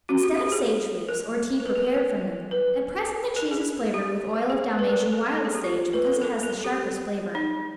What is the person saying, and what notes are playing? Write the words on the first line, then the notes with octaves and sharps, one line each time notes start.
Instead of sage leaves, or tea prepared from them, at present the cheese is flavored with oil of Dalmatian wild sage because it has the sharpest flavor.
F#4
G4
G4
G#4
A#4
A#4
B4
A#4
B4
A#4
B4
A#4
G#4
G4
G#4
B4
A#4
A4
A#4
A4
G#4
G4
F4
B4
A4
A#4
A#4
A4
G4
D#4